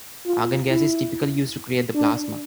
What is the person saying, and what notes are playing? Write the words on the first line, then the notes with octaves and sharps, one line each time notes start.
Argon gas is typically used to create the plasma.
F4
E4
D4